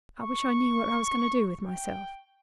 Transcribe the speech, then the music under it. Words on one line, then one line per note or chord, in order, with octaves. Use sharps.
"I wish I knew what I was going to do with myself."
C#6
G5